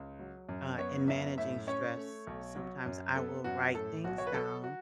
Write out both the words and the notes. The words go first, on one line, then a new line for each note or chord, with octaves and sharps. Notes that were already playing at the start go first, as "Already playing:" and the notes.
uh, in managing stress, sometimes I will write things down,
Already playing: C#2
F#3
F#2
B3 C#5
F#2 E5
A2 E5
C#4 C#5
A3
B1
F#3
F#2
B3 A4
F#2 F#4
A2 A4
B1 F#4
C#5
B4
F#3 A4
F#4